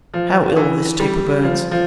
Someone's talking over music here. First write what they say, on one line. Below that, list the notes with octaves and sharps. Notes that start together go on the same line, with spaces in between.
How ill this taper burns!
F3
E3
G3
F3
F3